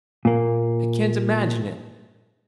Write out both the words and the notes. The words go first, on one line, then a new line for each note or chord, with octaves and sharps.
I can't imagine it.
A#2 A#3